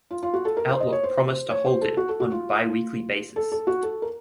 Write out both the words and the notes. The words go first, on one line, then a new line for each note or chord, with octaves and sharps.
Outlook promised to hold it on biweekly basis.
F4
F4
F#4
A4
A#4
C5
D#5
C#5
C5
C#5
C5
A4
F#4
A4
F#4
F4
A4
A4
F#4
A4
A#4